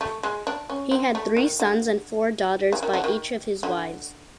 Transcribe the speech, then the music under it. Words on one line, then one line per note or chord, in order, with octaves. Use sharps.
He had three sons and four daughters by each of his wives.
A3
G#3
D4
C#4
C4
A3
D#3
D3
E3
D#3
D3
D#3
D3